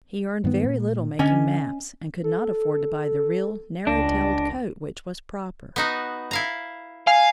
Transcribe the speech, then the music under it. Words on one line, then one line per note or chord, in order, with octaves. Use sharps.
He earned very little making maps and could not afford to buy the real, narrow-tailed coat which was proper.
G2 D#3 B3
A#2
D3 C#4 D#5 G#5
A4
C#2 D4 A#6
B3 D#4 F#4
E4 F5 A#5
F5 G#5